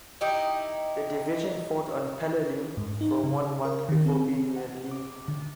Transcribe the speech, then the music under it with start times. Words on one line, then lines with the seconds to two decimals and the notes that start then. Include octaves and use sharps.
The division fought on Peleliu for one month before being relieved.
0.21 D#4 E4 G4
2.77 G#2
3.01 D#4
3.24 C#3
3.65 A#4
3.89 D#3
4.06 C4
4.56 F#5
4.91 D6
5.28 D3